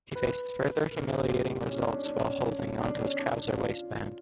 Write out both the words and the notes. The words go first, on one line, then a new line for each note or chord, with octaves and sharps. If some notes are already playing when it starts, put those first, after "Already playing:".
He faced further humiliating insults while holding onto his trouser waistband.
B4
A#4
G#4
G4
E4
C#4
C#4
D4
D4
C#4
D4
C#4
D4
D4
F4